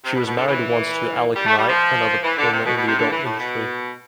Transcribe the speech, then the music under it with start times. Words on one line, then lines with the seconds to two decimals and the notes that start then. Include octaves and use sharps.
She was married once to Alec Knight, another performer in the adult industry.
0.04 C3
0.15 B2
0.26 B2
0.37 D3
0.48 E3
1.35 G3
1.46 A3
1.57 G3
1.68 F3
2.23 E3
2.37 D3
2.52 C3
2.66 B2
2.77 B2
2.88 C3
2.99 D3
3.10 E3
3.24 A2
3.39 B2